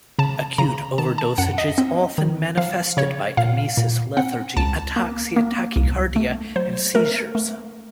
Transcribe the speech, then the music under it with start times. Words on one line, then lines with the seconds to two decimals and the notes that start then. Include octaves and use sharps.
Acute overdosage is often manifested by emesis, lethargy, ataxia, tachycardia and seizures.
0.19 C#3 A5
0.58 C#3 A#5
0.98 D#3 A5
1.18 A5
1.38 F#2 F#5
1.58 D#5
1.78 C4
2.18 D#3
2.57 F3 F5
2.97 C#3 C#5
3.37 A#2 F5
3.77 A#2
4.17 C4 F#5
4.57 C#2 A5
4.96 A#3
5.36 A#3
5.76 C2
6.16 A3
6.56 F#3 C5
6.95 A3 A#4
7.35 A3